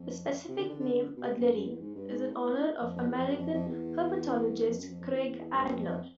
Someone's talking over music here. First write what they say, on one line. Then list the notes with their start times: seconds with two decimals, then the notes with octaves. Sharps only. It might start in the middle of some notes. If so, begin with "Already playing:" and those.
The specific name, "adleri", is in honor of American herpetologist Kraig Adler.
Already playing: F2
0.48 C3
0.58 D3
0.70 D3
0.80 D3
0.94 D3
1.17 B2
1.22 C3
1.38 F#2
1.52 F#2
1.66 E2
1.81 G#2
1.95 G2
2.09 G#2
2.31 A2
2.52 A2
2.81 F2
2.96 F2
3.07 E2
3.17 F2
3.28 F#2
3.38 F2
3.53 F2
3.67 E2
4.68 F2
4.78 F#2
4.89 F2
5.01 F2
5.11 E2
5.54 G2
5.64 F#2
5.75 F2
5.86 F2